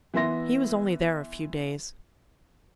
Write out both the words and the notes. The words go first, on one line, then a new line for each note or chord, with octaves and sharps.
He was only there a few days.
E3 B3 E5 C6 A#6